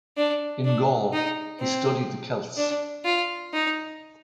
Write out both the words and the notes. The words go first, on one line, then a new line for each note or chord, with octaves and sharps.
In Gaul, he studied the Celts.
D4
D4
D#4
C4
D4
F4
D#4